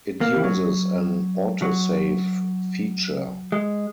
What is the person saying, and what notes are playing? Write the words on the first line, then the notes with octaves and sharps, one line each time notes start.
It uses an autosave feature.
A#3
E3
F#3
F#3
G#3